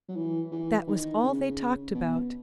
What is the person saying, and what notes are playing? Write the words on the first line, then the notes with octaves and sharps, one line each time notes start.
That was all they talked about.
F#3
E3
E3
D#3
C#3
B2